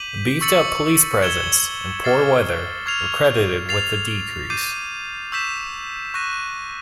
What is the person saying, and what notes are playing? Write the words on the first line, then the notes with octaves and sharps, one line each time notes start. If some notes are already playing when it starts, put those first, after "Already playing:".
A beefed-up police presence and poor weather were credited with the decrease.
Already playing: D6 G6 B6 D#7 F#7
C#6 E6 A6 C#7 F#7
G#6 C#7 E7 G7
D6 F6 A6 C7
C#6 F6 G#6 C7 F7
A6 C7 F7
D6 G6 C7 D#7
C#6 E6 G6 B6 E7
C#6 F#6 A#6 D#7